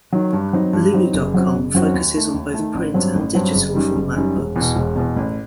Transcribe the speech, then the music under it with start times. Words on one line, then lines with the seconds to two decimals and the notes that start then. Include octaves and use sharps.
Lulu dot com focuses on both print and digital format books.
0.12 D#3 F#3
0.33 G2
0.53 F#3 C4 D#4
0.73 G2
0.94 F#3 C4 D#4
1.14 F#1
1.34 F#2 F#3 C4 F#4
1.54 F#1
1.74 F#2 F#3 C4 F#4
1.94 D#2
2.14 D#3 A3
2.34 D#2
2.54 A3
2.59 D#3
2.75 A1
2.94 G2 F#3 C4
3.15 A1
3.35 G2 F#3 C4
3.55 F#1
3.75 F#2 D#3 G3
3.96 F#1
4.16 F#2 D#3 G3
4.36 E1
4.56 E2
4.61 B2
4.76 E1
4.96 E2 B2
5.16 A1